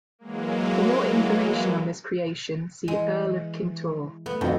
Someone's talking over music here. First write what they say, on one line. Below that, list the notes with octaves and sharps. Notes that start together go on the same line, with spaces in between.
For more information on this creation, see Earl of Kintore.
E3 F#3 G#3 A#3
E3 G#3
A3 B3
F2 D#3 A3 C4 F#4